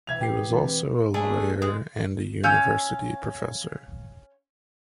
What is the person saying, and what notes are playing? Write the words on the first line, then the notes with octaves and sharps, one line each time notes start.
He was also a lawyer and a university professor.
E1 A#3 E5 G#6 F7
G4 C7
D#6
D3 E3 G#3 B3 A5 B5
C4
A3 D4 G#4
G#3
C#4 F5 E6 G6